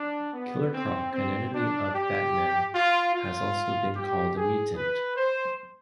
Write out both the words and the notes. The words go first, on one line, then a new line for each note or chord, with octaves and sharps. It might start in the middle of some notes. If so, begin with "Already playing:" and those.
Killer Croc, an enemy of Batman, has also been called a mutant.
Already playing: D4
B3
C4
C4
D4
G4
F4
F4
G4
G#4
B4
C5